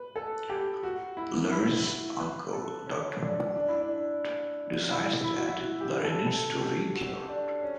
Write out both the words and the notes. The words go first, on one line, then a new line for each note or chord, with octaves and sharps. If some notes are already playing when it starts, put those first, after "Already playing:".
Larry's uncle, Doctor Paul Abbot, decides that Larry needs to be cured.
Already playing: B4
A4
G4
F#4
E4
E4
E4
B4
A4
C#4
D4
D4
E4
D4
E4
E4
F#4
E4
F#4
G4
A4
A4
G4
F#4
D4
C#4